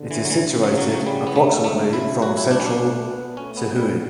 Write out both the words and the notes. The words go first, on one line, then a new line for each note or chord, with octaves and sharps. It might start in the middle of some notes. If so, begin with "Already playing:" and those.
It is situated approximately from central Sihui.
Already playing: D3
E3
F#3
E3
C#3
F#3
F#3
F#3
G3
B3
A3
D3 A3
C#3 E4
F#3 F#4
E4
D4
C#4
D4
A3
B3
A3 C#4
B3
G3